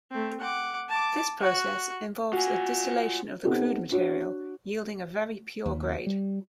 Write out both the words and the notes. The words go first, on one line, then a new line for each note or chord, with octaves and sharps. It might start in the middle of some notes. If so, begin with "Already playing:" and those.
This process involves a distillation of the crude material yielding a very pure grade.
A3 C4
F#5 D6
A5 D6
F#4 F#5
F4 F#4 G#5
B3 C4 D#4 G4 A4
D4 F#4 C#5
D#2
G3